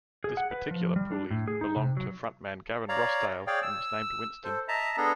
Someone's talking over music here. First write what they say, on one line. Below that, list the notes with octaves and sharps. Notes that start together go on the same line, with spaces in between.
This particular Puli belonged to frontman Gavin Rossdale and was named Winston.
G#4
F#5
B4
F3
G3
D4
A2
G#4
D#4
C3
F#3
C#5 D5 F5 A#5
G#4 C#5 D5 F5 G5
E6
A4 C5
D#5 E5 A5 A#5
B3 D4 G#4 A4 A#5